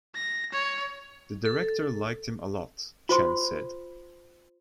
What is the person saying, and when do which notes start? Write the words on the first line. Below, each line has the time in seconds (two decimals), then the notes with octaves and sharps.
"The director liked him a lot," Chan said.
0.15 A#6
0.52 C#5
1.45 A4
3.09 F4 C5 C6